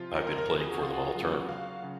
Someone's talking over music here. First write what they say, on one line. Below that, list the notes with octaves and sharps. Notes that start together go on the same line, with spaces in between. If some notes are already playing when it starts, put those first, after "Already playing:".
I've been playing for them all term.
Already playing: C3 F3 F4
A#4
A#4
A#4
C3 F3 A#4
G#4
F#4
F4
F#4
F4
C#3 F#3 F4
F#4
F5
C#3 F#3